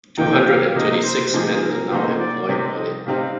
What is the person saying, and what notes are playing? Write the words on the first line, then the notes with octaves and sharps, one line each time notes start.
Two hundred and thirty-six men are now employed on it.
C3 F3 A#3 D#4 G5
F5
C3 F3 A#3 D#4 D#5
C5
C3 F3 A#3 D#4 G#4
A#4
C3 F3 A#3 D#4 C5
D5
C3 G3 C4 D#4 D#5
C3 G3 C4 D#4 F5